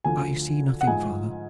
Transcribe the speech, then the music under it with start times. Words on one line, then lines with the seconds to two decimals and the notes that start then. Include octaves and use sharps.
"I see nothing, father."
0.04 D2 D3 F3 G#5
0.81 F#5
0.87 G#2 F3 G#5